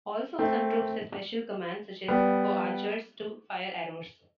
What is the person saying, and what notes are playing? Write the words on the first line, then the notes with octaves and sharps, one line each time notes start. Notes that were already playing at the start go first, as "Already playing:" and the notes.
Also, some troops have special commands, such as for archers to fire arrows.
A3 C4
G3 B3